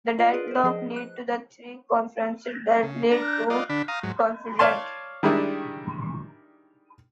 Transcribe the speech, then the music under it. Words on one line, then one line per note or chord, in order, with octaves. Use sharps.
The deadlock lead to the three conferences that lead to confederation.
F4 D5 D#5
F4 G#4 A#4 B4
A#4 C5
F3 G#4 D#5
F#6
C#3
D4 A#5
F4 D5 D#5
D3 D4 B5
F5 A#5 D#6
G#2 F#3
C#5 D5 F5 A5 C6
D#3 G3 G#3 D4 E4